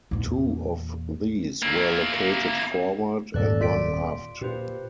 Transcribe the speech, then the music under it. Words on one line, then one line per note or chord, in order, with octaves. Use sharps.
Two of these were located forward and one aft.
E2 A#2
A#3 E4
D#1 F2 G#2 A4 D5 F#6
F4 D5 B6 D7
A#2 G4 B4 C5